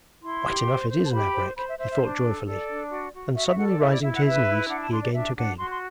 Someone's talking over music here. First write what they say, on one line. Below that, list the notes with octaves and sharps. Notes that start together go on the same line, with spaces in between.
'Right enough it is an abrek! he thought joyfully, and suddenly rising to his knees he again took aim.
E4 C6
G4
C5
C5
A5
G4 B5
C5
C5 B5
E5
C5 E5
E5
D4
A4
A4 D5
D4
F#4
F#4
F#4 E5
E5
A4 F#5
D5
E4 E5
D5
E4 E5
F#5
B4 E5
E4
D4 F#5
A5
D4 C6
D5
D4 E5
D4 F#5
F#4 C6
C6